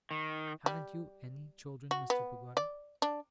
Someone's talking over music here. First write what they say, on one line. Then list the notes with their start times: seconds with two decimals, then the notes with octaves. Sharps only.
'Haven't you ANY children, Mr. Peggotty?'
0.11 D#3
0.66 G3
1.91 F#4
2.10 B3
2.57 D5
3.02 D4